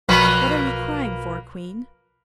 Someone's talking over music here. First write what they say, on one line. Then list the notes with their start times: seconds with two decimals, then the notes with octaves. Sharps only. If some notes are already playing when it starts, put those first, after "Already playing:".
"What are you crying for, queen?"
0.09 B1 F3 A#3 B4